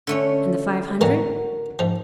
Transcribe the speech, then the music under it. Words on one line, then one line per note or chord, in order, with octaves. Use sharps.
"And the five hundred?"
D3 A3 C#4
A2 D3 E3 F#4 A#4
G#2 F3